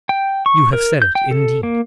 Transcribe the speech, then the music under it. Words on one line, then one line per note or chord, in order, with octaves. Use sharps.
You have said it, indeed.
G5
C#6
A#4
G6
G5
A4
A#3